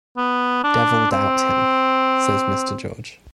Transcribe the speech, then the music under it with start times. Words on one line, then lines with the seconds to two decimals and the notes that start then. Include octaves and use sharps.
"Devil doubt him," says Mr. George.
0.17 B3
0.64 D4
1.11 C4